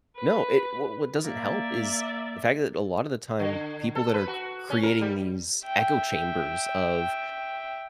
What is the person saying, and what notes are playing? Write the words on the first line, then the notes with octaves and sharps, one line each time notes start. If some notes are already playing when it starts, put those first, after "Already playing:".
No, it wh what doesn't help is the fact that a lotta the time, people that are c-creating these echo chambers of
B4
A#3 D5 E5
D3
A4
B4
F#4
C#4
A#4
G3
E5 G5